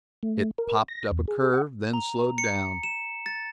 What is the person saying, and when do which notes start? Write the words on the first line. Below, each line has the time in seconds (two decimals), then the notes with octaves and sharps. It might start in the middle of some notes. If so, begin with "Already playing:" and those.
It popped up a curve, then slowed down.
0.23 A3
0.58 A#4
0.88 A#6
1.12 E2
1.28 G#4
1.53 F#5
1.93 A#5
2.38 C#7
2.83 E7
3.26 A6